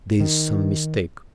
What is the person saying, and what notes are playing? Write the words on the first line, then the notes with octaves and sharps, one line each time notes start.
"There is some mistake."
D#3